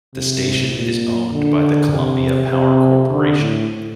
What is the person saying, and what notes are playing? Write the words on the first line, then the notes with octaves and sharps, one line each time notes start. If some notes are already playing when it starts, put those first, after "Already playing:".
The station is owned by the Columbia Power Corporation.
C3
A#2
D3
C3
C3
D3
A2